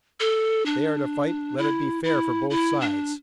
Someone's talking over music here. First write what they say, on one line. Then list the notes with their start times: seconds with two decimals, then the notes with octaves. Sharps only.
If they are to fight, let it be fair for both sides.
0.20 A4
0.66 D4
1.58 E4
2.04 E4
2.50 E4
2.81 D4